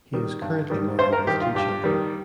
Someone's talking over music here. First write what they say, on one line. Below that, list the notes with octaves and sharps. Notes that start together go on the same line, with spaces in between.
He is currently married with two children.
D#3 G3
G2
D#3 G3
G2 C5
A#4
D#3 G3 G4
F4
G2 G4
D#3 G3